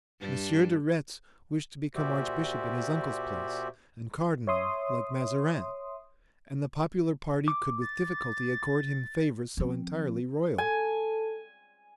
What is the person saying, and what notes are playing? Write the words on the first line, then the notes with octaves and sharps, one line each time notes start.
Monsieur de Retz wished to become archbishop in his uncle's place, and cardinal, like Mazarin; and the popular party could with difficulty accord him favors so entirely royal.
G2 G3 D4
A#2 F#4 G4 C5 D5 E5
C#5 E5 C6 D#6
D6
A6
F3 C4
A4 G#5